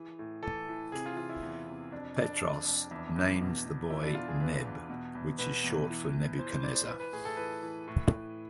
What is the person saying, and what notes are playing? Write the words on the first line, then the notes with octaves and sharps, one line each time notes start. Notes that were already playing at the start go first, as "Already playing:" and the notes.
Petros names the boy Neb, which is short for Nebuchadnezzar.
Already playing: E3 G#4
A2
E3 A4
E3
C3 G#4
F4
E3 F4
E4
E2
C3
F2 D4
F2 D4
F2
F2
E2
E2
B2
B2
E2 E4
D4
B2 F4
G#4
E2 B4
E2
B2
E2
B2 B4
E2
E3
E3
E3 C5
C5
E3 D5
C5
E3 B4
B4
A2 G#4
A4
E3 B4
E3
A2
A2